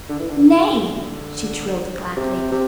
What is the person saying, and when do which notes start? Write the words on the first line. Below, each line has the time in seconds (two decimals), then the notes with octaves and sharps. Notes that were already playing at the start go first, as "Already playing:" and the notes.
"Nay!" she trilled gladly.
0.09 D3
0.19 E3
0.30 D3
2.17 C3
2.52 C3